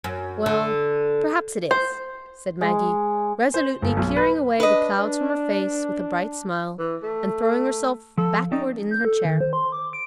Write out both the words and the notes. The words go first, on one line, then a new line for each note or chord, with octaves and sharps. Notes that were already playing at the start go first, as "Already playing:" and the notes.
"Well, perhaps it is," said Maggie, resolutely clearing away the clouds from her face with a bright smile, and throwing herself backward in her chair.
F#2
D3
C5
G#3
C5
G1
B1
B4
D4 B4 D#5
E3
A3
F3 A4
C4 C#4 D#4 D5
G6
A4
D#3
C5
C6
D6
D7